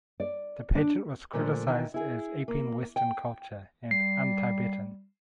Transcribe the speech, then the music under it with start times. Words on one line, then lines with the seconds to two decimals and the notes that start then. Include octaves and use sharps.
The pageant was criticized as "aping western culture" and "un-Tibetan".
0.20 D5
0.75 D4
1.33 A#2 D3 F3 A3 D4
1.67 D#3 E3
1.94 E4 G#4
2.48 A#3
2.96 G5
3.91 G3 C7